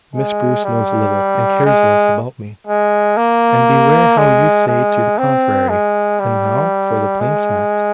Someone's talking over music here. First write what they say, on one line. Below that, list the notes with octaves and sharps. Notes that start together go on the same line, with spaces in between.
Miss Bruce knows little, and cares less, about me; and beware how you say to the contrary!--And now for the plain fact.
G#3
G3
G#3
G#3
A#3
G#3
G#3
C4
G#3
G3
G#3